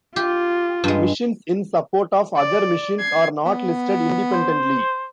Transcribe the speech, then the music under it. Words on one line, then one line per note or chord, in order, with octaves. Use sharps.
Missions in support of other missions are not listed independently.
F4 G4
G2 G#3
D5
G#6 C7
B3
C5